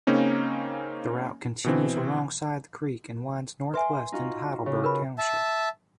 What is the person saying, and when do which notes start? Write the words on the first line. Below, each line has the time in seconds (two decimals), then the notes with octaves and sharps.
The route continues alongside the creek and winds northwest into Heidelberg Township.
0.07 C#3 A#3 C4 C#4 D#4
1.64 B2 E3 C4
3.74 B4 E5 G#5 C6
4.12 D#4 F4 F#4
4.66 C#3
4.84 A#4 B4 B5
5.18 E5 A5